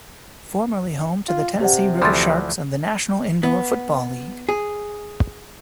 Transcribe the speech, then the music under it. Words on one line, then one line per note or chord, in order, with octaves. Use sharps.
Formerly home to the Tennessee River Sharks of the National Indoor Football League.
F4
C3 G4 D5 F#5
D2 E3 F3 A#5 C6 A6
B3
G#4